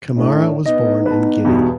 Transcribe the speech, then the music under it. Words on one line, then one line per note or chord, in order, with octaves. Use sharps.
Camara was born in Guinea.
A2 A3 D4
B3 D#4 D#5
B4 A5
E2 G2 B2